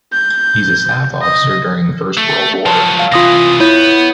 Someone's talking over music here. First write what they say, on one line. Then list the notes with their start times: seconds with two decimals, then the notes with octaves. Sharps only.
He’s a staff officer during the First World War.
0.13 G6
1.22 D#5
2.18 A3
2.66 F3 F#3 A5
2.99 F5
3.12 C3 E3 F4 D#6 A#6
3.60 B3 E4 C#5 G6